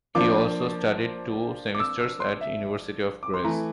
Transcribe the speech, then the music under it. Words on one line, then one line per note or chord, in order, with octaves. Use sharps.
He also studied two semesters at the University of Graz.
F3 A#3 D4 D6
D6
E6
E6
C6
E5
D6
C6
E3 A3 E4 A#5